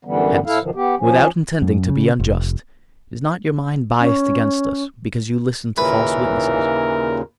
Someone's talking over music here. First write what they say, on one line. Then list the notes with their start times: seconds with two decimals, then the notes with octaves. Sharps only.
Hence, without intending to be unjust, is not your mind biased against us because you listened to false witnesses?
0.05 F#2 D3 E3 G3 B3
0.46 A2 E4 A4 F5
0.61 E2 G2 B2 D3 D#3 F3
0.75 B3 G4
0.98 F3 C#4
1.62 F#2
1.89 C#3
2.19 F1
4.00 C#4
5.78 D#2 A#2 C#3 E3 A#4 B4